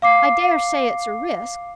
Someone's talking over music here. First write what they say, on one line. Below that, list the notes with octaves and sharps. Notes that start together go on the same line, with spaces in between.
I dare say it's a risk.
F5 D6 C7